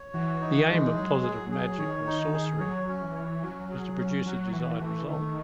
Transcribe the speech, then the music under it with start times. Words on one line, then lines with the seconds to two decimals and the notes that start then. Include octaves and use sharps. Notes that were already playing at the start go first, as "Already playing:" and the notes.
The aim of positive magic or sorcery is to produce a desired result.
Already playing: C#5
0.13 E3 F#4
0.41 D#4
0.69 G#3
0.96 F#3 G#4
1.23 G#4
1.52 G#4
1.78 D#3 C#5
2.06 D#4
2.34 G#4
2.60 F#3 C#5
2.88 C#4
3.02 E3
3.15 C#5
3.43 F#3 C#4
3.71 G#4
3.97 C#4
4.26 F#3 F#4
4.52 E3 F#4
4.80 E3 A3
5.07 D#3 A3